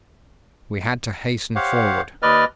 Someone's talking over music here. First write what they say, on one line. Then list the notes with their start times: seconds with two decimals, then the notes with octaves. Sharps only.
We had to hasten forward.
1.56 G4 C5 C#5 F5 F#5
2.22 D#2 B4 D5 D#5 F6